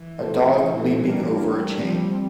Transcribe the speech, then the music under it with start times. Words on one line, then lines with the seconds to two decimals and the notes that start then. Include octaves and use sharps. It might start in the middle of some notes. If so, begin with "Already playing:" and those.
A dog leaping over a chain.
Already playing: E3
0.19 A#2 A3 E4 A4 C5
0.99 G3 D4 G4 A#4
1.79 F3 G3 C4 G4